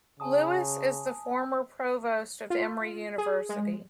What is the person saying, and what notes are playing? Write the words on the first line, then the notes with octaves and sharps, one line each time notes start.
Lewis is the former Provost of Emory University.
C#3 G#5 A5 D#6
F4
G#4
G#3